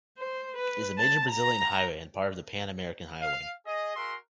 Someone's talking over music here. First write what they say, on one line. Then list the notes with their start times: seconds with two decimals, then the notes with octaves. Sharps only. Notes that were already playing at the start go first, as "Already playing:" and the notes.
It is a major Brazilian highway and part of the Pan-American Highway.
0.19 C5
0.57 B4
0.98 A5
1.31 A#5
3.22 F5
3.66 G#4 D#5
3.96 F#4 G#4 A#4 E5 C6